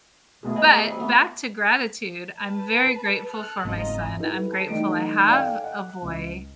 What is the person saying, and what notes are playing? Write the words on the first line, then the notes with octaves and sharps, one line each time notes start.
But back to gratitude, I'm very grateful for my son, I'm grateful I have a boy.
B2 A3 B3 G#4
G3 G#3 D#5 A#5
G#4 C#6
G3 C4
A3 B3
B4 A5
A4 F6 F#6
F#1 G#2 C4 F4 D#5 A#5
E4 G4 A4 B4
A5
E3 G3 A3 D#4 D7
A4 D5 F5 G5 G#5
F#5
C#2